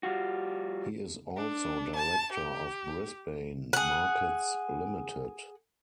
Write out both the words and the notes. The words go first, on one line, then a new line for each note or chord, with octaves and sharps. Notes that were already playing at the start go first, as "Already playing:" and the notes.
He is also Director of Brisbane Markets Limited.
G3 F4 F#4
D4
A5
G4
G#4 F#5